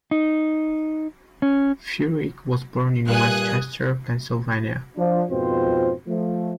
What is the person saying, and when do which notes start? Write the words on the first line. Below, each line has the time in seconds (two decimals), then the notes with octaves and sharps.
Furyk was born in West Chester, Pennsylvania.
0.11 D#4
1.42 C#4
3.08 A#1 G2 A#2 G#5 D#6 F#6
4.97 F3 D4
5.30 F2 G#2 B2 C4 F4 C5
6.08 F3 A3